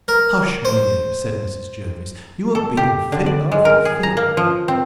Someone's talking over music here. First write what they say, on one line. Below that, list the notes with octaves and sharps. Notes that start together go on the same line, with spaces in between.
Hush, my dear, said Mrs. Jervis; you have been in fit after fit.
A#4
C5
A4
G4
D3
D5
G#3
A#4
G#4
A#5
A#3
F3
C4